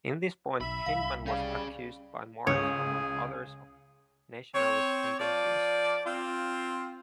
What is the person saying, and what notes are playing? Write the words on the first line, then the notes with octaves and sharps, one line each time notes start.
In this point Hyndman was accused by Marx among others of nationalist tendencies.
B1 E5 B5
C2 F5
G3 C#4 G#4 C#5 F5
C#2 G#4 C#5
C4 C#5
F3 D5
C4 F4